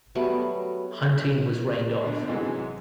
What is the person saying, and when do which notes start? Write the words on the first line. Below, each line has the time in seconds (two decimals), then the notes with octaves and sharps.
Hunting was rained off.
0.15 F#3 G3 A3 B3
2.01 B2 D3
2.28 G#2 C3 E3 F#3 G#3